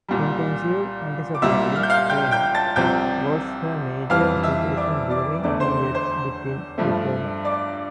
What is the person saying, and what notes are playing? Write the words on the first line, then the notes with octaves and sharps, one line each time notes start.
Intensive antisubmarine training was her major occupation during periods between deployment.
C2 A#2 G3
D6
C2 A#2 G3 E5 E6
F6
G6
F5 F6
G5 G6
G5 G6
A5 A6
C2 C3 F3 G5 G6
F2 E3 G3 F5 F6
E5 E6
D5 D6
D5 D6
E2 D3 A3 D5 D6
C5 C6
C5 C6
G2 F3 A3
D5 D6